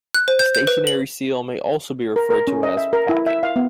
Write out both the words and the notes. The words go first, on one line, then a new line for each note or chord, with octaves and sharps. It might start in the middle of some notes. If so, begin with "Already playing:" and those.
A stationary seal may also be referred to as 'packing'.
F#6
C5
G6
G6
B4
F#7
A#4
A#4
C#4
D#5
E5
A#4
E4
E5
F5
B3